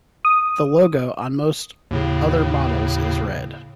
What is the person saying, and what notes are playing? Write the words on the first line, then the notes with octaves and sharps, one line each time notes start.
The logo on most other models is red.
D#6
D#2 A2 C#3